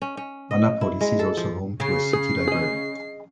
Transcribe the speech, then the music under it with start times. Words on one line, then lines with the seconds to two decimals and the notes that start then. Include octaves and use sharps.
Annapolis is also home to a city library.
0.02 C#4
0.17 C#4
0.51 D#5
0.81 E4
1.01 G#3
1.19 A4
1.37 F3
1.80 C#3 C#4 C7
2.13 G#4
2.48 G#4 D#5